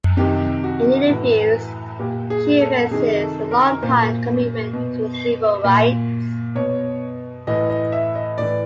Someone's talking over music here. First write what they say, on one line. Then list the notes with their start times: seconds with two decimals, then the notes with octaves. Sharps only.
In interviews she evinces a longtime commitment to civil rights.
0.17 C3 D#3 G4
0.64 F#4
1.09 A2 E3
1.99 A#2 G4
2.30 G#4
2.61 A4
2.91 C3 D#3 G#4
3.22 A4
3.51 A#4
3.82 A#2 C5
4.73 B2
5.64 A#2
6.55 B2 C#5
7.47 A2 E3 D#5
7.70 D#5
7.92 E5
8.15 D#5
8.38 A2 E3 D5